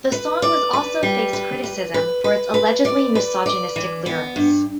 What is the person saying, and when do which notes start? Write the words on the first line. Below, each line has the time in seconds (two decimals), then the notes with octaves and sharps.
The song was also faced criticism for its allegedly misogynistic lyrics.
0.12 B4
0.42 D5
0.73 B4
1.03 G3
1.33 B4
1.63 B4
1.94 B4
2.24 B4
2.54 B4
2.85 D5
3.15 B4
3.46 D5
3.76 E3
4.06 B3
4.36 G2